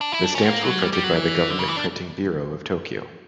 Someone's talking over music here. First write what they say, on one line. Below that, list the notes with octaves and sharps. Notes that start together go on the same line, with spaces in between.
The stamps were printed by the Government Printing Bureau of Tokyo.
D4
E4
D4
C#4
B3
A#3
F#3
G3
G3
F#3
E3
D3
C#3
E3
D4